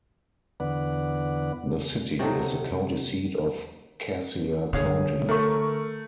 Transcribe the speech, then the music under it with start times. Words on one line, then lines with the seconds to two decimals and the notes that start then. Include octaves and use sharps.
The city is the county seat of Cassia County.
0.60 E2 D3 B3 B4 D5 F#5
2.19 C3 F#3 D#4 A4
4.73 D3 G#4 C#5 F5
5.29 A3 A#4 C#6